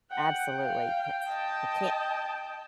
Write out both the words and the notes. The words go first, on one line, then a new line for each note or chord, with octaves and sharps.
Absolutely, 'cause I can't
F#5 G5 F#6
F5
D#5 A5